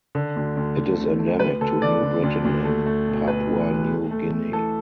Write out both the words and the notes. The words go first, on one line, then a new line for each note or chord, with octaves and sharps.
It is endemic to New Britain in Papua New Guinea.
D3
D2
D2
D3
A3
A3
D2 B4
D2 A4
D3 D5
D3
D2
D2
A3
A3
B2
A3 B4
A3
B2
A3
A3
A3
E3 A4